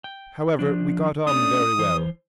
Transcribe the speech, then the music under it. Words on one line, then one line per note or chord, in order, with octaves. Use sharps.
However, we got on very well.
G5
F3 D4
A3 C#4 D4 D#6
E3 C5